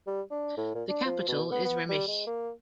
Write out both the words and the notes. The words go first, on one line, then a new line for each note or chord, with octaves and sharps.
The capital is Remich.
G3
D4
A2
A#2
D4
F3
B2
B3
B3
G3
G#3
A#3